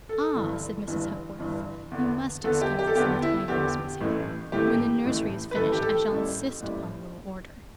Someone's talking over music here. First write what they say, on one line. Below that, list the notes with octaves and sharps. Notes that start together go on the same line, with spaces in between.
'Ah!' said Mrs. Hepworth, 'you must excuse this untidiness, Miss Hale. When the nursery is finished, I shall insist upon a little order.
A4
G1 G2 E3
G1 G2 E3
G1 G2 E3
E2 D3 B3
E2 D3 B3 A4
G4
G4
A4
E2 D3 B3 G4
E4
E2 D3 B3 G4
A1 A2 E3 A3
A1 A2 E3 A3 G4
A1 A2 E3 A3
B4
A1 A2 E3 A3 A4
G4
A4
A1 A2 G3
A1 A2 G3